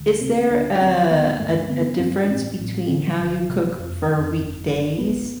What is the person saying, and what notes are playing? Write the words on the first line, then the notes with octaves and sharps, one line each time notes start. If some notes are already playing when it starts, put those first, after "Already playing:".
Is there, uh, a a difference between how you cook for weekdays
Already playing: D2
C3 C4
C4
D2 D4
D4
D2 C4
D2 B3
G2 A3
D3 B3
G2 C4
D4
A1 C4
A1
D3
G1
C3
F2
F2
G1
G1
B1 B3